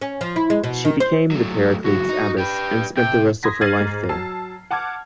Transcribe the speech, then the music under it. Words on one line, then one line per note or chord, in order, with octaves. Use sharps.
She became the Paraclete's abbess and spent the rest of her life there.
C#4
F3
E4
G#3
B2
D#3
C5
F#3 A3
C#2 F#3 F#4
D#4
G4 B4 G5
C3 G5
C6 D#6 G#6 A#6 B6
F6 G#6 A6 C7 D#7 F#7
G#2
F#3 A5 E6 C7
F#5 A5 D6 F6 G#6